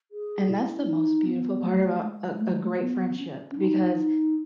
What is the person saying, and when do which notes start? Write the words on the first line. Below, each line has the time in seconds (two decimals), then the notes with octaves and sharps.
And that's the most beautiful part about a a great friendship, because
0.11 G#4
0.49 E4
0.87 D#4
1.26 B3
1.64 A3
2.03 G#3
2.41 A3
2.53 G#3
2.63 A3
2.80 B3
3.17 C#4
3.56 D#4
3.95 D#4